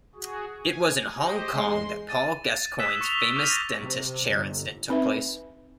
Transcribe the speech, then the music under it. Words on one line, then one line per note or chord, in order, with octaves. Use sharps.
It was in Hong Kong that Paul Gascoigne's famous dentist chair incident took place.
F#4 G#4
G#5
G4 C5 D#5
E2 G#3 C6
A6 D#7 E7
D#6 E6 F#6 G#6 B6 E7
C#6 C#7 E7 F7 G7
C#6 D6 F6 G6 B6 D#7
A6 A#6
C3
G1
C4 D#4 B4 E5